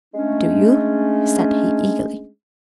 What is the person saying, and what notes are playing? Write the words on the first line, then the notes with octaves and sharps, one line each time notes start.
"Do you?" said he eagerly.
G#3 A3 C#4 D4